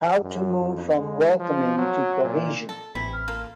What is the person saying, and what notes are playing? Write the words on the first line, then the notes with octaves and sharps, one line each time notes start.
How to move from welcoming to cohesion?
F#2
F2
G#3
F3
F#3
A#2
A4
A1 C3 E3 E4 B6
F6
A#3 F4 A4